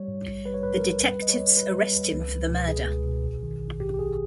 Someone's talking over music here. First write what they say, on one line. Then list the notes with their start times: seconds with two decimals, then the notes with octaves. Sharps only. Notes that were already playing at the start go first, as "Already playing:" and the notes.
The detectives arrest him for the murder.
Already playing: G3 C#5
0.08 G#2
0.27 A#1
0.45 G3 B4
0.54 C#5
0.63 G#2 B4
0.74 A#4
0.83 G3
1.01 D#2 B4
1.20 G3 D#5
1.29 C#5
1.38 D#2
1.57 G3 B4
1.75 G3
1.95 D#2
2.13 C#2
2.31 C#2
2.50 B2
2.68 C#2 G#4
2.87 C#2
3.06 B2
3.24 A#1
3.43 D#3
3.62 A#1
3.80 G#2 G4
3.94 G4
3.99 A#1 G#4